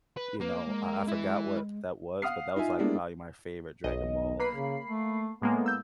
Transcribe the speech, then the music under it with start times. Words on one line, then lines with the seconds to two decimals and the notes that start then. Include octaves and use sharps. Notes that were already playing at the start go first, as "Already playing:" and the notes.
you know, I I forgot what that was, but that was, like, probably my favorite Dragon Ball,
0.17 B4
0.41 A#3 B4
0.66 G#3
1.08 E4 B4
2.22 F5 F#5 D#6 F6 C7
2.56 D#4 F4 E5 G#5
2.78 G3 G#3 A#3 B3 D4 E4
3.84 B1 D#5
4.40 A#3 B4 B5 C7
4.54 C#3
4.88 A3
5.42 A2 G#3 A#3 B3
5.66 E6 G6